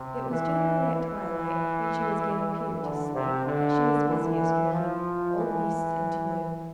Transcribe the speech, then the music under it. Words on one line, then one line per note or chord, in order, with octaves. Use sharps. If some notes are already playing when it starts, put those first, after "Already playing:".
It was generally at twilight, when she was getting Peter to sleep, that she was busiest making "old beasts into new."
Already playing: C3
E3
E3
D3
C3
D3
E3
F3
E3